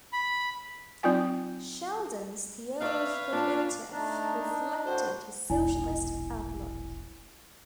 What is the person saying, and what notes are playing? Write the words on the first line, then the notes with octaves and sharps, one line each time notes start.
Sheldon's theological motif reflected his socialist outlook.
B5
F#3 C4 D#4 F4 G5 G#5
D4 B4 C#5 D5 E5 F5
A#2 D4 A5
A3 D4 D#4 A5 A#5
A2 F#4 C5
E1 A#1 E4 G#5